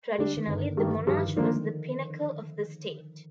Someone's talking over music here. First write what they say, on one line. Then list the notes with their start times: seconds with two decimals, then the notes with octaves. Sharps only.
Traditionally, the monarch was the pinnacle of the state.
0.18 D3 G3 D4
0.37 D#3
0.48 G1 D3
0.77 G2 D#3
1.01 F3
1.07 G2 D#3
1.27 D3
1.36 D#3 F3 A#3 D4